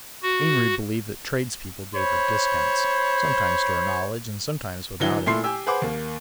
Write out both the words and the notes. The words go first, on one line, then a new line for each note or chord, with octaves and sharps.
Amory believed that tradespeople gave her discounts, sometimes to her knowledge and sometimes without it.
F#4
C5 C#5 B5
D3 E3 F#3 E4 G7
A#2 A3 E4 C6 C7
G4 G#5 E6
G#4 B4 C5 F#5 D6
D#2 A#3